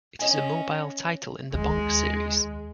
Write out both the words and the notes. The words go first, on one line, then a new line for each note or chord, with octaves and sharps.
It is a mobile title in the Bonk series.
C#4 D#5 G#5
D#2 G#3